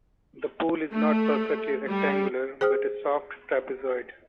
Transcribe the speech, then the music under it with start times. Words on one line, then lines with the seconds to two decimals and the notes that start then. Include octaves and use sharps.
The pool is not perfectly rectangular, but a soft trapezoid.
0.93 A3
1.87 G3
2.61 G#4 C5 G5 D#6 F6